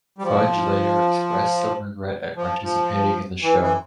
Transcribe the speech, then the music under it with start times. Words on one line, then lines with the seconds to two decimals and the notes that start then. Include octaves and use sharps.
Fudge later expressed some regret at participating in the show.
0.18 G3
0.24 F3
2.36 F3
2.63 F3
3.43 E3
3.60 E3